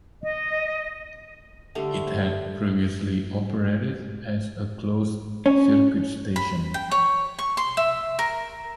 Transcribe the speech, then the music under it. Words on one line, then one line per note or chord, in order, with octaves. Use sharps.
It had previously operated as a closed circuit station.
D#5
D3 G3 A3 F5
C#4
B5
G5
C#5
C#6
C6
E5
A#4